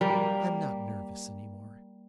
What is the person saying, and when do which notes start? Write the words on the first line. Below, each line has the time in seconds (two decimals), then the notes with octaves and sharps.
'I'm not nervous any more.
0.01 G3 A#3